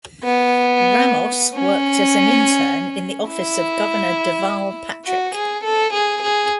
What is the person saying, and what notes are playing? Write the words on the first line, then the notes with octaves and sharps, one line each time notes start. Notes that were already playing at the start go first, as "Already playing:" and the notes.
Ramos worked as an intern in the office of Governor Deval Patrick.
B3
C#4
E4
F#4
G#4
A4
G#4
G#4